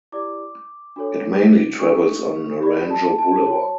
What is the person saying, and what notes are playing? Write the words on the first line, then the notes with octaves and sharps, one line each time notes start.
It mainly travels on Naranjo boulevard.
E4 G4 D5 D6
D4 F#4 A4 C#5
D4 F#4 A4 C#6
G4 D5 B5
A5
A5
F#4 C#5